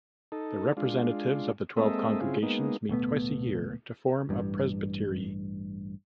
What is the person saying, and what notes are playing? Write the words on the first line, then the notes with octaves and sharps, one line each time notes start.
The representatives of the twelve congregations meet twice a year to form a presbytery.
D#4 A4
G#3 D4 F4
G#3 A#3 C4 A4 D#5 E5
C#3 C4 E4 F4 G#4
G#3 A#3 B3 D#4
D1 B2 A3 B3
A1 G2